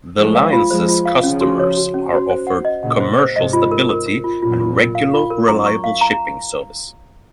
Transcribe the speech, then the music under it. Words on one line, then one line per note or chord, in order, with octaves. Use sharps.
The Line's customers are offered commercial stability and regular reliable shipping service.
F3 G#3 C5
F5
F4
F3 G#3 C5
F4
F5
C#3 F3 C#4
F#4
C#5
F#4
C#4
F#4
C5
F#5
D#5
A#2 C#3 F#5
C5
C5
G#2 C3 D#5
F4
A#4
A#4
A#4
F4
F#2 A#2 F4
F4
A#4
F5
F4
A#4
F#2 A#5
C#6
F5
A#5